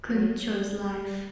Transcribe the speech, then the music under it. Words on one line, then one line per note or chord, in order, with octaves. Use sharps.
Kun chose life.
F#3
G3
G3